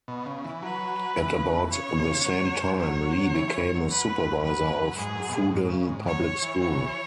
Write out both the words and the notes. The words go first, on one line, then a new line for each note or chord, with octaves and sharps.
At about the same time, Li became a supervisor of Fudan Public School.
B2
C#3
E3
F#3 B4
E3
C#3
E3
C#3 C#5
B2
B2
C#3
F#3
C#5
E3
E3
F#2
B4
B4
G#2 G#4
F#2
B2
G#2
G#2
C#3
G#2
F#2 C#5
E3
E3 C#5
F#3
E3